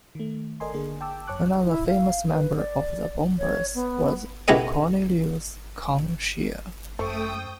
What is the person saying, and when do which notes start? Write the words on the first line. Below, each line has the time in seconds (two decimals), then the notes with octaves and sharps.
Another famous member of the Bombers was Cornelius "Con" Shea.
0.15 D#3 A3
0.60 A4 A#4 D5 D#5 G#5 C6
0.74 D3 A#3 G#4
1.01 G5 A5 D6 E6
1.27 F#2 C#5 A5 C#6 D6 F#6
1.66 E4
1.87 F5
2.32 B4
2.57 D5
3.39 C#5
3.74 B3
4.48 C#2 B2 E4 G4 A4 D#5
6.99 F#2 A3 A4 C5 G5 C#6 D#6